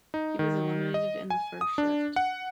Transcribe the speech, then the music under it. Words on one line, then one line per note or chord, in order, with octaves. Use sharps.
He was eliminated in the first shift.
D#4
D#3
D#5
G#5
D#6
D4
F#5